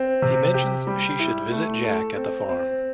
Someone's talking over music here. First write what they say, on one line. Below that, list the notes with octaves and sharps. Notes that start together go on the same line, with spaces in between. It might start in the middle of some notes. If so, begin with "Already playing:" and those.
He mentions she should visit Jack at the farm.
Already playing: C4
C3
G4
G3
E4
A3
A4
C4
C4